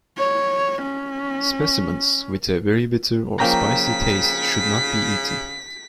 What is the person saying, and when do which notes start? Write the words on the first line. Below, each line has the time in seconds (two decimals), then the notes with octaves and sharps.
Specimens with a very bitter or spicy taste should not be eaten.
0.18 C#5
0.82 C#4
3.40 C#3 F3 A#3 C#4 G5 A#5 B6